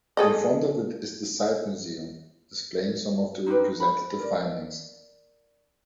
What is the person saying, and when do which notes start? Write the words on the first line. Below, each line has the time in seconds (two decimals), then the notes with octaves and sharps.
In front of it is the site museum, displaying some of the representative findings.
0.17 G#4 A4 D#5
3.46 D#4 F4 G4 B4
3.80 B5
4.19 A#4 D5